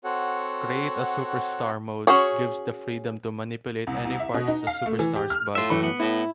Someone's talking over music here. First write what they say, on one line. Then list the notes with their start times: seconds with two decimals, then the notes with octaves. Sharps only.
"Create-A-Superstar mode" gives the freedom to manipulate any part of the superstar's body.
0.04 C4 F#4 A4 C#5 F#5
2.07 C#4 F#4 G#4 C#5
3.87 C2
4.05 C2
4.20 E5
4.34 B2
4.48 D#4
4.67 F5
4.86 A3
4.99 E3
5.16 G4
5.30 F6
5.55 A2 F4 E5
5.70 F#2 E3 A3 B5
5.83 B3
6.00 A2 E4